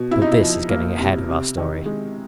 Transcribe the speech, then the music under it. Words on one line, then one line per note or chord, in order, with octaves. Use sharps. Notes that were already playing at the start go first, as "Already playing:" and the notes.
But this is getting ahead of our story.
Already playing: B2
C3 E4
D#4
E4
F3
A#3
C3
C3
D#3
G#3